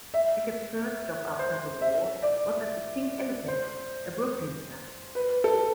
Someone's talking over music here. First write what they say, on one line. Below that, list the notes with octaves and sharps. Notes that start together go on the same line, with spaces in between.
Hackett's first job after the war was at the Pink Elephant, a Brooklyn club.
E5
C5
E5
D5
C5
B4
A4